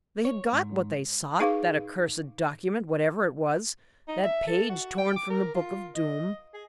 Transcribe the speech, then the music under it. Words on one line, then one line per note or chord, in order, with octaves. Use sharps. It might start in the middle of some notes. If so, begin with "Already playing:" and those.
They had got what they sought, that accursed document, whatever it was, that page torn from the Book of Doom.
C#5
G#2
D#4 G#4 B4 F5 C#6 D6
D#4
E5
A4
F#4
G5
D6
A#4
F4
D#5
G#4